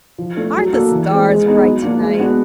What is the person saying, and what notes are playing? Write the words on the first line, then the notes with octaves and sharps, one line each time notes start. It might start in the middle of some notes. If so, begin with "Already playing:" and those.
Aren't the stars bright tonight?
F3
A3 D4
F#3
A#3 D4 F#4 A4
E3
G#3 C4
G#3
B3 D#4 G#4
F#3
A#3 D4 F#4
G#3
B3 D4 F#4 B4